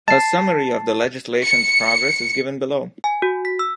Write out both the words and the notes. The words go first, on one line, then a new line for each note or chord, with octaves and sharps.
A summary of the legislation's progress is given below.
A5 C7
C#7
G#5
F#4
B6
E6